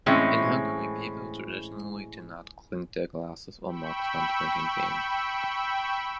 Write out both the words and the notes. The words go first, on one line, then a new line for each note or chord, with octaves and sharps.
In Hungary, people traditionally do not clink their glasses or mugs when drinking beer.
A2 E3 G#3 C4 C#4
G5 B5 C#6 E6